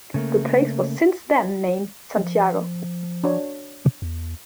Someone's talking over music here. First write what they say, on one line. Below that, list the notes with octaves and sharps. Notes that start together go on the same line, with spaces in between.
The place was since then named Santiago.
C#3 A3 A#3
F3
D4 F#4 C#5
E2